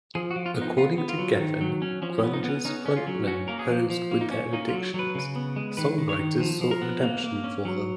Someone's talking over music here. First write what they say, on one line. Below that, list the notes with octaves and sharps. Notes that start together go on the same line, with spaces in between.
According to Geffen, "grunge's frontmen posed with their addictions; songwriters sought redemption for them".
F3 G#4
F#4
F3
F4
B3 D#4
B3 F4
B3
F4
F#3
D#3
F#3
C#4
F3 C#4
C#4
B3
D#4
B3 C#4
C#4 D#4
C#4
F4
F#3
C#4 F#4
A#3 A#4
G#4
F3
F3
A#3
D#4
C#4
A#3 D#4
F4
F#3
F#3 B4
C#3
B3
G#3
D#3 B4
D#3
C#5
D#3
F3
F3
A#4
B3
A#3
A#3
C#4
F#3